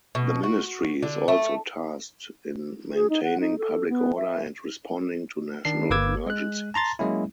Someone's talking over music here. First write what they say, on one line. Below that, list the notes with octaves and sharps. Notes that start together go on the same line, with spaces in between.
The ministry is also tasked in maintaining public order and responding to national emergencies.
B2
F#4
D3
A3
G#4
D#4
F#5
D#4
A4
B3
E5
D#3 D4 C7
G1 A#3 B4 D6 E6 G#6
G#3 F#6
A5 A#5 C6 A6
F#3 G#3 A#3 C#4 E4